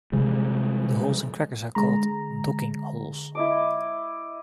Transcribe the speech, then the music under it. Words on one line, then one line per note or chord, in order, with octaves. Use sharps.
The holes in crackers are called "docking" holes.
C3 F3 G3 G#3
D3 G#3 A#5
E4 D#5 D6